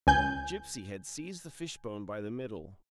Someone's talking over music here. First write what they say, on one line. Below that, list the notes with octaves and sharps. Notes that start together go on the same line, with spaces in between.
Gipsy had seized the fishbone by the middle.
C#2 G#5 G6